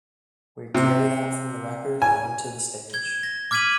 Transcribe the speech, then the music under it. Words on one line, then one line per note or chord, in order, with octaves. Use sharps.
We carry that from the record on to the stage.
C3
G#5
G#6 G7
A#6
D6 F6 G#6 B6 D#7 F#7